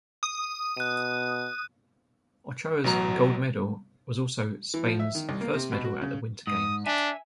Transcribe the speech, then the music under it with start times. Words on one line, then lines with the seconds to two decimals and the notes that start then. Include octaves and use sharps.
Ochoa's gold medal was also Spain's first medal at the Winter Games.
0.23 D#6
0.77 B2 F#6 D#7
2.84 A1 B2 F#3 A#5
4.74 E3
4.86 F3
5.00 E5
5.15 D#3
5.29 C2
5.41 A#3
5.54 C3
5.72 B2
5.84 F#4
6.01 C#3
6.47 G#2 D#6
6.86 D4 E5 G#5